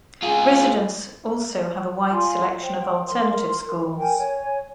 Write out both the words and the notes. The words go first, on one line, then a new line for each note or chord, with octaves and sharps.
Residents also have a wide selection of alternative schools.
F4 G#4
F4 F5 G#5 C6
C5 G5
A#4 C6
A#4 G5 G#5
C#5 G#5